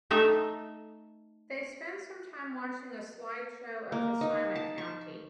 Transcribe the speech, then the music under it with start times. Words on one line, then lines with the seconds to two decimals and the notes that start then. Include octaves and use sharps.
They spend some time watching a slideshow of his time at County.
0.11 A3 D#4 E5
3.92 A#3
4.21 D#4
4.55 A5
4.78 C#6